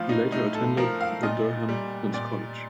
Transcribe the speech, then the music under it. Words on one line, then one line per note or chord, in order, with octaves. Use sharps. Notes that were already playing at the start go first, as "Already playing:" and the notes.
He later attended the Durham Pitmans College.
Already playing: A2 F3 F4
D#4
A2 D#4
A4
F3 A#4
F5
A#2 D#5
G3
A#2 D5